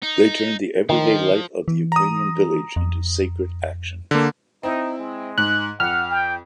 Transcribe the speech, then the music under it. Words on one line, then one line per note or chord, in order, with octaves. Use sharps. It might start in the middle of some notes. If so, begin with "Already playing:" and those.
They turned the everyday life of the Ukrainian village into sacred action.
D#4
D#3 F3
E3
A#5 D#6
F2
D3 A#3
C4 D#4 E4
G#3
G#2 F#6
F2 F#5 F6
G5